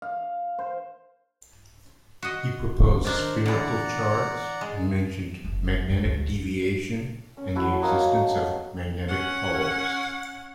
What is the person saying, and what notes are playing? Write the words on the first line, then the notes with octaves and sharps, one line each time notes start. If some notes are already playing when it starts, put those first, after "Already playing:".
He proposed spherical charts and mentioned magnetic deviation and the existence of magnetic poles.
F5
C5
F#4 D#5
D#3 D4 A#4 C5
D3 E3 D5 F#5 A#5
G#3
F#1
F#2
D2
F1
C#4
E4 F#4 A5
F#3 A#3 D#5 F5
A5
C#4 F#5